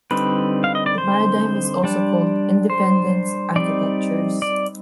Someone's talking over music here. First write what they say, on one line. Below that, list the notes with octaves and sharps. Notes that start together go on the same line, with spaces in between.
This paradigm is also called "Independence" architectures.
D3 G3 C4 D#4 B4
F5
D#5
D5
C5
G3 D4
C5
G3 C4 D#4 D5
D5